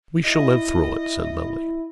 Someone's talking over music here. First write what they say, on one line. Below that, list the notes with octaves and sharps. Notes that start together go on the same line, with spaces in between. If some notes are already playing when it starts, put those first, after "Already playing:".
"We shall live through it," said Lily.
E4 D#5